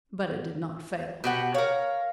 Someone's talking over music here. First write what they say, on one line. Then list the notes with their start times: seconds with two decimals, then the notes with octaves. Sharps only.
But it did not fail.
1.24 B2 G4 F#5
1.54 A#4 C#5 F5